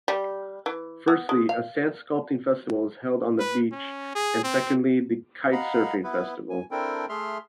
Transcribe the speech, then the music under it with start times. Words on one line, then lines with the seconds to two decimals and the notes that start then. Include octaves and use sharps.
Firstly a Sandsculpting Festival is held on the beach and secondly the Kitesurfing Festival.
0.08 G3
0.66 E3
1.08 B3
1.29 G#3
1.49 F5
3.40 B4
3.72 C#4
4.15 G#4
4.44 C4
5.52 D#5 F5 F#5 A#5 B5
6.04 B3 E4 B4
6.50 G#5
6.71 C4 D4 E4 A4 A#4 G5
7.09 A3 G#4 E5 C6 F6